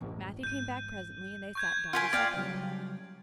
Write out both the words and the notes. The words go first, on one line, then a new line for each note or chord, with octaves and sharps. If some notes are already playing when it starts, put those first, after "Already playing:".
Matthew came back presently and they sat down to supper.
A1 F#2
G#1 F2 G6 D#7
C#6 G6 G#6
C#3 F4 F5 G#5 F6 B6 D7
E2 D5 F5 G5 A6
C#3 F#3 G3 C#4